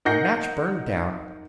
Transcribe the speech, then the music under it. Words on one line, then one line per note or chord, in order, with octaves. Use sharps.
My match burned down....
D#4 A#4 F#5 G6 A#6 C7